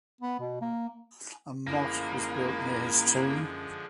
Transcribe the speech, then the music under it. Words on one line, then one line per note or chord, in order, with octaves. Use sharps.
A mosque was built near his tomb.
B3
B2
A#3
F#2 D3 F3 G#3 A#3 E4